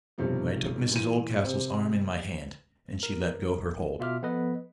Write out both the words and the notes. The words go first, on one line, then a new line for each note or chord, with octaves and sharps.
But I took Mrs Oldcastle's arm in my hand, and she let go her hold.
B1 G2 C3 D#3 F3
A#2 E3 D#7
C3 C4
A#4
B2 F4 E5 D6 F6
F3 B3 A4 B4 D#5